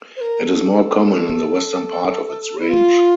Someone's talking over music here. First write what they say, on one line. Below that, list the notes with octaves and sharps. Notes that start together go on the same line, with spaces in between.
It is more common in the western part of its range.
C5
A#4
A4
A4
E4
F4